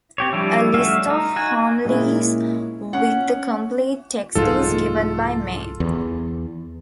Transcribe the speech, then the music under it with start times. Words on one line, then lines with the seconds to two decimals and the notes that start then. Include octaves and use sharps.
A list of homilies with the complete text is given by Mai.
0.18 C4 G4 C#5
0.33 F3 G3 D4 E4
0.74 A3 C#4 F#4 E5 F5
1.10 D#4
1.36 F#4 G#5
1.85 A#2 G#3 C#4 E4
2.93 C#4 F#5
4.35 C2 G#2 F3 F4 A4
5.80 E2